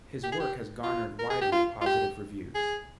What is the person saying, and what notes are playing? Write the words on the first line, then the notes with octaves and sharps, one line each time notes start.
His work has garnered widely positive reviews.
G4
G#4
G4
F4
A#4
G#4
G4
F4
F4
G4
G#4